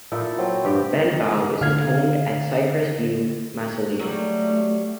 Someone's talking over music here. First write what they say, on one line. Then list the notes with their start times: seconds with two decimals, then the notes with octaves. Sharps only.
Benbough is entombed at Cypress View Mausoleum.
0.12 A#2 D#4 E4 A4
0.38 F#3 C4
0.65 G2 G4
1.61 D3 F5 G#6
3.99 F#3 G3 A3